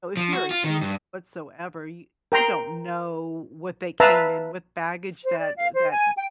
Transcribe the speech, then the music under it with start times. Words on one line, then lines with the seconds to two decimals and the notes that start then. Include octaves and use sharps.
know if you're a human whatsoever, you don't know what they came in with, baggage that that
0.17 F3
0.33 F#4
0.51 F4
0.64 D#3
0.82 G2
2.32 A#4 G5 A#5 C6
4.00 B4 E5 F5 A5 A#5
5.23 C5
5.38 D5
5.56 F5
5.74 C5
5.90 G#5
6.16 G5